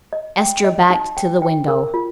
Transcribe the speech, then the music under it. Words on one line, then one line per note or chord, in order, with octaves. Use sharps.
Estra backed to the window.
D#5
G5
D#5
D#4
G5
G5
A#4
F4